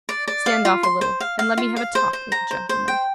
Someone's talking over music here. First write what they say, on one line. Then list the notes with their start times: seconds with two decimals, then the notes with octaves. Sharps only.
"Stand off a little, and let me have a talk with the gentleman."
0.09 D5
0.28 D5
0.46 F5
0.65 F4
0.83 C6
1.01 C5
1.20 F5
1.39 F5
1.58 F4
1.76 F5
1.95 C5
2.13 C5
2.32 A#5
2.51 C5
2.69 C5
2.88 G5